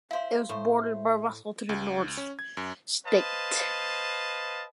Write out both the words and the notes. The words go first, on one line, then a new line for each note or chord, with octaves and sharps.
It was bordered by Russell to the north, Ste.
E4 C5 F5 C6
A2 C5 E5
C#2
C#4
G#6
F#2
B4 C5 D#5 F5 A5